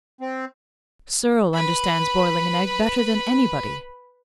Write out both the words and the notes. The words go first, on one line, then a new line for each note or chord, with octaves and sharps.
Serle understands boiling an egg better than any body.
C4
B4 B5